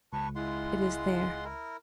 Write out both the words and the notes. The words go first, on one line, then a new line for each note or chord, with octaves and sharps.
"It is there."
C#2 B4 A5 C#6
G#3 E4 F4 F#5 C6
E4 A#4